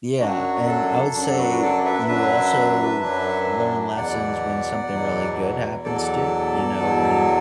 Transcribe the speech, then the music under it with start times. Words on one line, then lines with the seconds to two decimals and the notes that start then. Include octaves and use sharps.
Yeah. And I would say you also learn lessons when something really good happens too, you know? When
0.20 F#2 F#3 D4 F#4
0.68 A4
1.14 F#2 F#3 D4 A4
1.30 A4
1.38 F#4 B4
1.62 A4 D5
1.85 B4 E5
2.08 F#2 F#3 D4 B4 E5
3.02 F#2 F#3 D4
3.96 E2 B2 F#3 D5 F#5
4.91 E2 B2 F#3
5.84 E2 B2 F#3 A4 D5
6.79 E2 B2 F#3